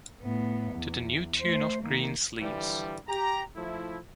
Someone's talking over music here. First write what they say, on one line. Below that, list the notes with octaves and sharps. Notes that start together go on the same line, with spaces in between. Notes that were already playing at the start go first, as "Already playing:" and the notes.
To the new tune of Green Sleeves.
A2 B3
E2
A3 C5
D#3 A#3
D3 E3 F3 G3
G4 A#5
F3 A3 E4